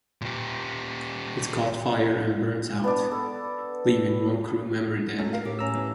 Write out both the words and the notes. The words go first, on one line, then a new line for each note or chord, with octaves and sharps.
It caught fire and burned out, leaving one crew member dead.
A#2 G4
B3 D4 D5
A4
F#3 A3 C#4
A#4 F5
A2 G4
C#4 A#5 E6
E3